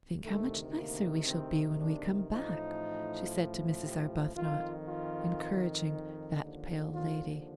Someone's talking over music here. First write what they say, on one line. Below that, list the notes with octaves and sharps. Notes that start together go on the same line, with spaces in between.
"Think how much nicer we shall be when we come back," she said to Mrs. Arbuthnot, encouraging that pale lady.
D2 C3 D#3 A3
A#3
C4
D4
A1 A2 F3 D#4
G4
F2 D#3 F4
F4
D#4
D#2 D3 F3
F4